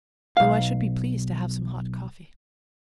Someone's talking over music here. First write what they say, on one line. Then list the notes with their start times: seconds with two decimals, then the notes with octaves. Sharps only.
"Though I should be pleased to have some hot coffee."
0.37 B1 F5